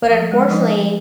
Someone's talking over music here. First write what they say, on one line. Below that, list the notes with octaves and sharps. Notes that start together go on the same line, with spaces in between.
But unfortunately,
F3
G#3
F3 D#4
F3